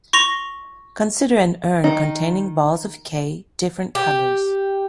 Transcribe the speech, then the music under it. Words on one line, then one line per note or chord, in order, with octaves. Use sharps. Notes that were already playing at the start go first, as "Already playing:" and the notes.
Consider an urn containing balls of "K" different colors.
C6 C#6 A#6 F7
D#3 D#4
G4